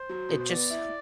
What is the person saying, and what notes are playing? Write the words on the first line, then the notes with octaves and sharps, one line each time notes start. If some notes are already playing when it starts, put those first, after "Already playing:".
it just
Already playing: C5
F#3
B2
C5
B3 D5
E4